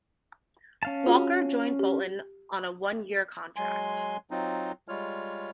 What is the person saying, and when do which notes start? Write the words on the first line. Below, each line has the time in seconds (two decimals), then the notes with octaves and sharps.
Walker joined Bolton on a one-year contract.
0.83 C#4 F5 A5
1.06 F4 F#4 G#4
1.79 G4
3.56 F#3 G#3 G#5 C6
4.31 F#3 C4 D#4 F4
4.88 G3 G#3 F4 C#5 F6